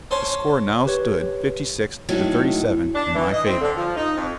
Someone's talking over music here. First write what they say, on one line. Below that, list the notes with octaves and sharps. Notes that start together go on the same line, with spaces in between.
The score now stood fifty-six to thirty-seven, in my favor.
C#4 C5 A5
G4 B4 C#5
A2 D#3 F#3 G#3
D4
E3
D#5
C4
D3
F3
D#4
F2